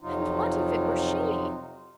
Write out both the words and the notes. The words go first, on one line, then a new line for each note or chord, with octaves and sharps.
And what if it were she!
F2 C3 F#3 D#4 F4